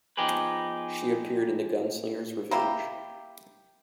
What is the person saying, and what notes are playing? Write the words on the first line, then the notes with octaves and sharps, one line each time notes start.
She appeared in "Gunslinger's Revenge".
F3 B3 D#4 G4 G#4 B4
A#3 E4 G4